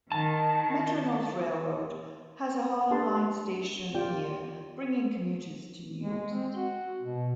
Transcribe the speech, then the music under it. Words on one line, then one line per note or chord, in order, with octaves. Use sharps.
Metro-North Railroad has a Harlem Line station here, bringing commuters to New York City.
D#3 A5
D4 G4 A4 B4 A5 C6
F4 G4 D5 G5
G#3
C4
F#4
B2